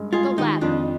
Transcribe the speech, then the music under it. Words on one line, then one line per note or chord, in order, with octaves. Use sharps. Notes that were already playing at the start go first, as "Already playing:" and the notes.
The ladder!
Already playing: G2 G#3
G#3 F4 G#4
D#3 D#4 G4
F2 D4 F4